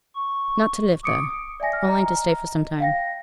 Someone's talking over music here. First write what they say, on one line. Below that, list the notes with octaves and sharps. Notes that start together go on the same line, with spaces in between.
'Not to live there: only to stay for some time.
C#6
D6 D#6 C#7 D7
D5 E5 G5 G#5 A#6
F6
D#5 A#5
D#5
F5 G5 A#6